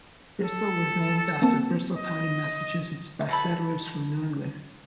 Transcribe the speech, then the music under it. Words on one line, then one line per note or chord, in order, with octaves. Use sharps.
Bristol was named after Bristol County, Massachusetts, by settlers from New England.
A4
A#3 C4 A5
D#5
B2 A4 B5